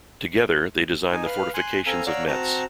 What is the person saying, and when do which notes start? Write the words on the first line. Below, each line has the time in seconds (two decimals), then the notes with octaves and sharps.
Together, they designed the fortifications of Metz.
1.12 D#4 G#5
1.26 B4 F5 F6
1.54 G#5 C6 F#6
1.86 C4 A4 F5 G#5 A#5
2.06 C#5 D5 F5 F#5 A#5 E6
2.27 C4 F#4 A5 A#5